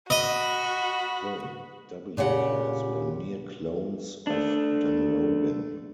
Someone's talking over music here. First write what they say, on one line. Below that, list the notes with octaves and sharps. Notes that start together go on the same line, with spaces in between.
The W class were near-clones of "Dunrobin".
F#4 D#5 B5
A#2 C#3 G4 F#5
A3 D4